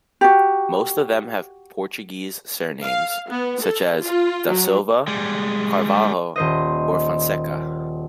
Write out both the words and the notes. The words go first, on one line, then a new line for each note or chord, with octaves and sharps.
Most of them have Portuguese surnames, such as "da Silva", "Carvalho" or "Fonseca".
F#4 G4
F5
B3
A4
F4
F#3
G3 G#3
D#1 C5 D#5